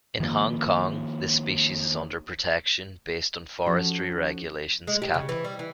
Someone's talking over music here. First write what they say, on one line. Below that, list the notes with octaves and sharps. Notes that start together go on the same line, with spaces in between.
In Hong Kong, this species is under protection based on Forestry Regulations Cap.
D#3 F3 G#3 A#3
F3 C#4 F#4 A4
G#3
G4
C#3
E3
G3
E3